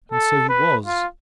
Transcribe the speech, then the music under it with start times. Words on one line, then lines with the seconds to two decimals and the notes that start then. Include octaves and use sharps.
And so he was.
0.12 A4
0.49 B4
0.86 F4